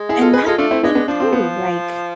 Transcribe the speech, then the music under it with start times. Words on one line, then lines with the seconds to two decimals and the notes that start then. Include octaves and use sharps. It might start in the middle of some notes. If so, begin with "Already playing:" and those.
And that's the thing, too, like,
Already playing: G#3
0.09 E4 G#4
0.21 F4 A4
0.33 G#4 B4
0.46 G#3 F4 A4
0.58 A3 D4 F4
0.71 C4 E4
0.83 G#3 B3 D4
0.95 B3 D4
1.08 F3 D4
1.20 C4
1.33 B3